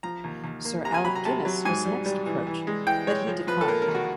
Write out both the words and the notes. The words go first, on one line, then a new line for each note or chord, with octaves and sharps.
Sir Alec Guinness was next approached but he declined.
F3 A#5
D#2
D#2
A#3
C3 A#5
G#5
F#3 B5
A#5
C3 A5
F#3
G#2 G#5
G3
G3
E3
E3
G#3
E3 G5
G#3 C#5
F3
F3 B4
A4
A#3 A#4
A#4
D#2
F#4